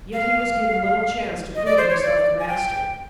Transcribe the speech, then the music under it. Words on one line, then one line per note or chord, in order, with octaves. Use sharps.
Yet he was given little chance to prove himself the master.
F5
D#5
D5
C5
C#5
D5
G#5
G5